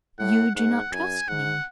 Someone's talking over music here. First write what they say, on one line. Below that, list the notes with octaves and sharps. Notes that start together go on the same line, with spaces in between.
"You do not trust me?"
A2 F#5
G#2 F#5
F#2 G#5
G#2 F#5